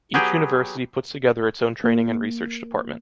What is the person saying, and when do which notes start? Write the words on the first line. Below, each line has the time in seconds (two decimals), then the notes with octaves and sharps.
Each university puts together its own training and research department.
0.14 F#3 B3 G4 G#4 G5
1.84 A#3